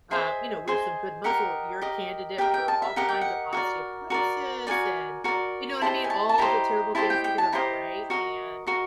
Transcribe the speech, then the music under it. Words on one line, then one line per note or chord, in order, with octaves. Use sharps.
uh, you know, with some good muscle, you're a candidate for all kinds of osteoporosis. And you know what I mean? All the terrible things you hear about, right? And
G#4 C5 D#5 E5
G#4 C5 D#5
G4 A#4 D#5 F#5
G4 A#4 D#5
G4 A#4 D#5 G5
G5
A5
E5
G4 A#4 D#5 F#5
G5
F#5
F#4 A#4 D5
F#4 A#4 D5
F#4 A#4 D5 G#5
F#4 A#4 D5
E4 G4 C5 D#5 A5
G#5
A5
A5
E4 G4 C5 D#5 A#5
E4 G4 C5 D#5 A5
G5
G5
A5
E4 G4 C5 D#5 A#5
F#4 A#4 D#5
F#4 A#4 D#5